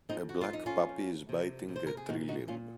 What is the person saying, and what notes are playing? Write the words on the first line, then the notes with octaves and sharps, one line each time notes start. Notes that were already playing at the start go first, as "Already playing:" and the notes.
A black puppy is biting a tree limb.
F2 C4 D#4
F#4
F4
F2 D#4
C#4 F4
F2
C3
C3
C5
A#4
G#4
A#2 D#4 F#4
D#4 F#4
A#2 C#4 F4